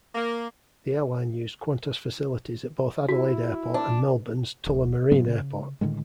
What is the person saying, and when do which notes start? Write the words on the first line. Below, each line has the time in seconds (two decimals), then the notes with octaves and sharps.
The airline used Qantas facilities at both Adelaide airport and Melbourne's Tullamarine airport.
0.15 A#3
3.09 E4 F#4
3.74 D4
4.66 D1
5.11 G#2 F#3 B3
5.28 C#3
5.81 A2 D3 D#3 G#3